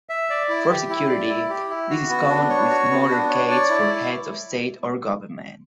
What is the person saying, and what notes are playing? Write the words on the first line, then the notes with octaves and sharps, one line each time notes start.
For security, this is common with motorcades for heads of state or government.
E5
D5
E4
G4
E4
D5
E4
G4
E4
F#4
B3
D4
C#5
F#4
B3
D4
C#5
D5
E4